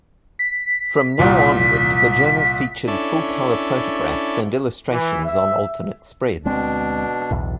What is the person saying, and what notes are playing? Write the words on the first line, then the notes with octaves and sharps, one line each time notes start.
From now onward the journal featured full-colour photographs and illustrations on alternate spreads.
B6
C2 A#2
C#4 D4 E4 A4
E3
E5
D2 B2 G#3 C4 D4
B1 E2 A2